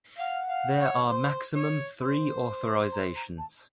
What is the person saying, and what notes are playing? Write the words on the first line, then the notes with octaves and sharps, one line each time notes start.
There are maximum three authorizations.
F5 F#5
F5
C#5
C5
C#5
C5
A#5
A#5
A5